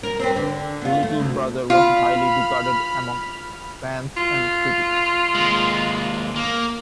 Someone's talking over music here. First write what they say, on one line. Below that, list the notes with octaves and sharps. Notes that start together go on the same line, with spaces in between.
Little Brother was highly regarded among fans and critics.
A#4
C4 B4
D3
B3 F4
A3
D2
F4 B5 F6
F4
D#2 G#3
A#3